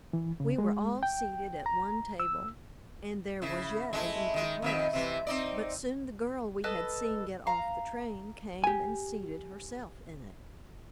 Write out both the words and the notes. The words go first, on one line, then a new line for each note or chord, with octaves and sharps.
We were all seated at one table, and there was yet an empty place; but soon the girl we had seen get off the train came and seated herself in it.
E3
C#3
G#3
G5
A#5
E6
C#3 E4
G#3 A3 E4
D#3 G#3
F2 D#3 E5
C3 E3
C4 D#4 D5
A4 B4 D#5
F5 A#5
G4 G#5